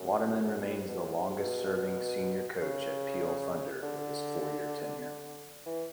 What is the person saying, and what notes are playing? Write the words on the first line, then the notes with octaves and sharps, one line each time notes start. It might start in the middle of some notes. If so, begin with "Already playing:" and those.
Waterman remains the longest serving senior coach at Peel Thunder with his four-year tenure.
Already playing: F#2
B2
A2
G#2
B2
A2
G#2
B2
C#3
D3
E3